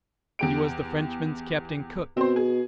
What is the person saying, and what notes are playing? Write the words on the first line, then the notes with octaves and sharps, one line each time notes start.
He was the Frenchman's Captain Cook.
E2 G4 D7
B2 C4 C5
G#4